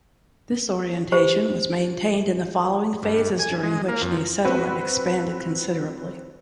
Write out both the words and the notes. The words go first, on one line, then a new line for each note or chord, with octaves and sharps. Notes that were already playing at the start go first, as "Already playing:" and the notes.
This orientation was maintained in the following phases during which the settlement expanded considerably.
G4 C5
G2
G#5
G#3
A#3
F2
C4 F#4 B4